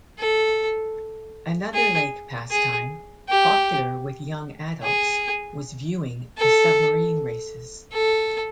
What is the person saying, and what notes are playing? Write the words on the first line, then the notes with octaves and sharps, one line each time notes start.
Another Lake pastime popular with young adults was viewing The Submarine Races.
A4
G#4
G#4
G4
G#4
A4
A4